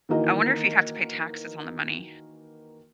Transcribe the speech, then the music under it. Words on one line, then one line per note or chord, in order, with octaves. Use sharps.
I wonder if you'd have to pay taxes on the money.
D#3 E3 A#3 F#4 A#4 D#5